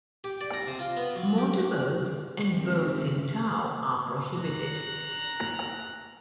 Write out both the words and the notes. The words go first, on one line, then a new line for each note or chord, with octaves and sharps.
Motor boats and boats in tow are prohibited.
G4
D5
A#5
C3
F4
B3
F#3
G4
E3 G#3 C4 D4 G4 A#4
A#5 F#6